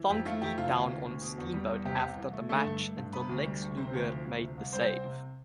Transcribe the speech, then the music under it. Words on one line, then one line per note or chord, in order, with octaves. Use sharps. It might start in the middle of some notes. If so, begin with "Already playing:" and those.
Funk beat down on Steamboat after the match until Lex Luger made the save.
Already playing: E3
F2 G4
A3 F4
F2 G4
C3 F4
D2
E3
D2
B2
E2
G3
E2
C3 G4
C2
E3
A3
D3 A3 A4
G2
A3
G2
C3 B3 B4
D2
G3
D2
C3 C4 C5
D2
F3
D2
C3
C2
G3 C4 C5
C2
C3